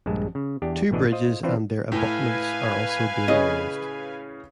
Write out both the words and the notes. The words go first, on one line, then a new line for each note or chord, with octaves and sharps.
Two bridges and their abutments are also being raised.
A#1 G2 G#3 A5
C#3
E2 D4 G4
A1 B2 E3 D4 D#5
F4 C5 D#5
E3 C4 D4 F4 B4 C5
A2 B4 F5 G#5
C#3 C#4 G#4 D#5